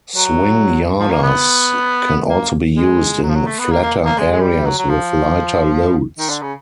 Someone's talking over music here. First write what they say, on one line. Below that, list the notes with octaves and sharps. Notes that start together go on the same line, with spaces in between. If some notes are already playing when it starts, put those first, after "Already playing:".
Swing yarders can also be used in flatter areas with lighter loads.
F#3
F3
A#3
B3
A#3
G#3
F#3
F3
F#3
A3
B3
A#3
A#3
A#3
G#3
G#3
G3
F#3
F#3
F3
D#3
D3
C#3